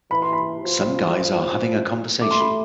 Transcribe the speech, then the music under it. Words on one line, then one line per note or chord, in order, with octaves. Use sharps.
Some guys are having a conversation.
E3 B5
C6
B5
F3
A3 D6
C6
B5